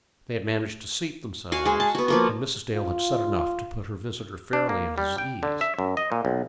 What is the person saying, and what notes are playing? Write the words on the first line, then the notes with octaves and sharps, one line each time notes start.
They had managed to seat themselves, and Mrs. Dale had said enough to put her visitor fairly at his ease.
F#4 F5 G#5
G#3 G#4
A5
B3 F#4
F3 A#3 F#4
F4
D4
A#3
G3
G5
D3
E5
F#2
D#5
A#2
B1